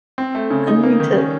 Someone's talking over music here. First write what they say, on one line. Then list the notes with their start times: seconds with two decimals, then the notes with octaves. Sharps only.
I need to
0.18 C4
0.35 A3
0.50 C#3
0.67 D#4
0.83 A#3
1.00 D#3
1.16 C#4